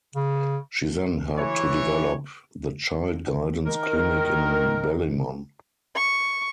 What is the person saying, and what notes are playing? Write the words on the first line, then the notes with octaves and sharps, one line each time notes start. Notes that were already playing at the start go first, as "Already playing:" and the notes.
She then helped to develop the Child Guidance Clinic in Ballymun.
C#3
E3 C#5
D#3 A#4
C#6